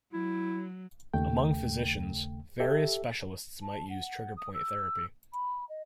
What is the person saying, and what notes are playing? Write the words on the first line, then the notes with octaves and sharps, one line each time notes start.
Among physicians, various specialists might use trigger point therapy.
F#3 E4
D#2 C#3 A3 G5
G4 A4 E5
A5
F#5
D#6
E6
B5
D#5